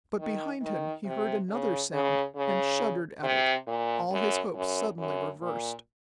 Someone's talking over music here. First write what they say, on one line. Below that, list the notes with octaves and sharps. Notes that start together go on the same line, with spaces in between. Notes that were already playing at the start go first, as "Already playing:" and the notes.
But behind him he heard another sound, and shuddered at it, all his hopes suddenly reversed.
D#3
D#3
C3
C#3
C#3
C#3
C3
A#2
F#2
F#2
F#2
A#2